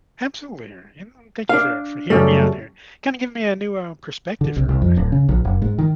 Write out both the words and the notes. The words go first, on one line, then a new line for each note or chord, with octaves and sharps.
Absolutely here and, um, thank you for, uh for hearing me out here. Kinda giving me a new, uh, perspective here on it here, you know?
D4 F5
F#2 C#3 G3 A3
D3
C2
C2
F2
D1
C#3
A#1
F#1
G#2
D#3